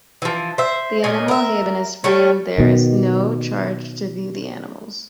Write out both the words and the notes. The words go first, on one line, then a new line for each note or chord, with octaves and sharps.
The animal haven is free and there is no charge to view the animals.
E3 F3
C5 E5
A#2 C#4 D#5 G#5
A#4 E5
G3 A3 C#4
B2 D#3